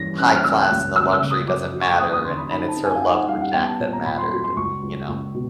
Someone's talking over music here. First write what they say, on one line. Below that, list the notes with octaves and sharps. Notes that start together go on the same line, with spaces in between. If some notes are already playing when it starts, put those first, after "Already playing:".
high class and the luxury doesn't matter, and and it's her love for Jack that mattered, and, you know?
Already playing: G2 E3 C#4 A#6
C#4 F#6
F6
C#2 E6
F#6
C#2
C#3 E6
E6
C#3
D#6
F#2 D6
F#3
C#6
A#3 D#6
D#6
D3 C6
B5
D#4 B5
A5
C4
G#5
F5
D#4 F#5
F#5
G3 F5
F#5
B3 G5
A5
A#2
A#5
A#2 B5
C6
F#3 C6
C6
C#2 C#6
C#2
C#2
B2